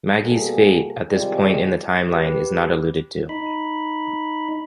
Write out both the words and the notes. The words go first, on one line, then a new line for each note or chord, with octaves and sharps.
Maggie's fate at this point in the time-line is not alluded to.
B2 G3 A#3 F#4 G#4 A4
C3 D#3 G3 G#3 F4 G#4
G4 B4
D#4 B5